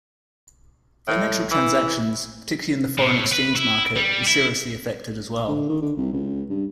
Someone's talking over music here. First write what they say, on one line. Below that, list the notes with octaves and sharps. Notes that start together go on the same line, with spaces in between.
Financial transactions, particularly in the foreign exchange market were seriously affected as well.
A2
E3
A2
B4
E4
G3
E4
D3
D#3
D3
C2
C#2
G2